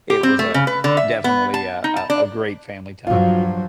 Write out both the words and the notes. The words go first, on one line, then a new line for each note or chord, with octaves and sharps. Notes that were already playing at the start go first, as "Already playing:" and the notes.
it was a definitely a a a great family time.
G4
C4
A3
C#3
B4
D3
E5
B3
A5
D#4
A5
D4
G2 F3 F#3 F4 F#4